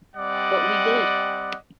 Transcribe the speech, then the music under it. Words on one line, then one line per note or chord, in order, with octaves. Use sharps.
But we did.
G3 C4 D5 D#5 F#5